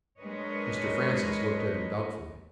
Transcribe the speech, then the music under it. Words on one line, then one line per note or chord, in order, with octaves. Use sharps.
Mr. Francis looked at him doubtfully.
G#3 D4 A#4 B4 C#5 D#5